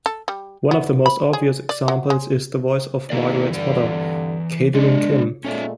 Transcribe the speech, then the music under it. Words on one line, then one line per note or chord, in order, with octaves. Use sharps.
One of the most obvious examples is the voice of Margaret's mother, Katherine Kim.
A4
G3
B3
B5
G#4
D5
F#3
G#3
D#3 A#3 E4 G#4 D5
G2 D3 E3 D5
G#3 D4 D5 D#5
A#2 G#3 A3 C#4 C#5 D5